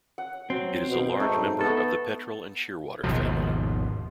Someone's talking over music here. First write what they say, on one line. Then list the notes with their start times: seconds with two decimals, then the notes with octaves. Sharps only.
It is a large member of the petrel and shearwater family.
0.18 F#5
0.50 F#3 C4
0.88 B2
1.20 G#2 A3 D#4
1.61 B3 A4
3.04 G#1 D#2 B2 F3